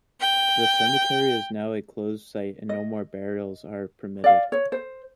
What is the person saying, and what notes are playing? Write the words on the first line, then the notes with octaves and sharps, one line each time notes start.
The cemetery is now a closed site and no more burials are permitted.
G5
D#5
D5 F5
C#5
C5